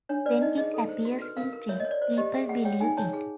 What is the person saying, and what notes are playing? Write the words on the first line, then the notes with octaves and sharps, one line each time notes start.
When it appears in print, people believe it.
D4 C#5
B4 D5
D#4 D#5
G#4 D#5
A4
C5
F#4
B4
A#4 F5
A#4
C#5 E5
C#5 D#5
D5
C5 D5
G4 D#5
G#4 E5
G#4 F#5
C#5 G5
D#4 G#5
C#5 A5
G#4